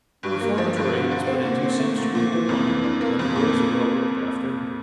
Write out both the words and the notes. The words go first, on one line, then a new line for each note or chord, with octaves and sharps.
The reformatory he was put into seems to be a good one, and the boys are well looked after.
G2
A#3
F3
G2
D3
D3
C4
A#2
C4
A3
A#2
A#2
E3
F2
E3
D4
A#3
F2
A#2